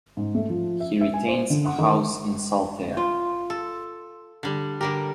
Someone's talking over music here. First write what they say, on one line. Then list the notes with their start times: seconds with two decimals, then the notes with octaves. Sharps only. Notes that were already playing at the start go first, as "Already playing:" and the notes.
He retains a house in Saltaire.
0.17 G#2
0.35 A3
0.50 F3
0.80 E5
1.01 E5
1.14 G#5
1.28 C5
1.50 D3
1.65 F#5
1.78 D#3
2.97 F4
3.50 A4
4.43 D3 G3
4.81 D3 G3 G4 A#4